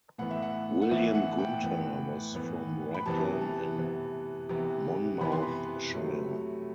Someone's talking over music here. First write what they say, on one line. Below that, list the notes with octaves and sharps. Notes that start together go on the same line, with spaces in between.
William Gunter was from Raglan in Monmouthshire.
A2 E3 B3 F#5
E5
F#5
F#5
A2 E3 B3 E5
F#5
G5
A2 E3 B3
A2 E3 B3
B5
C3 E3 B3 A5
A5
C3 E3 B3
C3 E3 B3
C3 E3 B3 B5
C6
B5
C3 F#3 A3